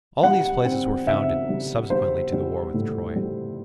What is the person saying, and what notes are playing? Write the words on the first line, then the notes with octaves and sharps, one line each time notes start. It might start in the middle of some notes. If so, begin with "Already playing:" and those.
All these places were founded subsequently to the war with Troy.
G3 F#5
C4
C4 E5
G3
G3 C5
G3
A2
G3